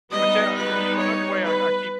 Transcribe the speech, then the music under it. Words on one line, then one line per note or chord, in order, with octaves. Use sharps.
But, yeah, I mean, you know, another way I I keep
G3 B3 D#4 D#5
B4
C#5
B4